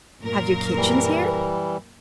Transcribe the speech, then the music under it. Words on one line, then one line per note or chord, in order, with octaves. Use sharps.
"Have you kitchens here?"
F#2 A#2 A#4
E3 G3